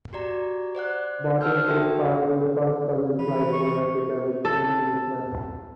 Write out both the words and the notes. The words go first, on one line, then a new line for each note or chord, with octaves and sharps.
Botting took part in the first balloon flight over Africa, with Anthony Smith.
F#4 G4 D5 A#5
C5 D5 F#5 F#6
C5 A5 E6 F6 G6
F#4 G4 A4 E5 G5
E3 B5
C#6
A4